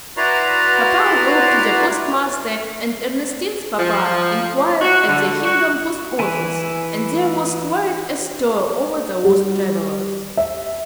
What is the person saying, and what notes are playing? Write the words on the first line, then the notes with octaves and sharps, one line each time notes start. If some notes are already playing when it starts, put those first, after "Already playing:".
Papa wrote to the postmaster, and Ernestine's papa inquired at the Hingham post-office, and there was quite a stir over the lost travellers.
E4 F#4 B4 D5 A#5 C6
F3
F#4
D3
F#4
E3 E4 G#5
G3
E5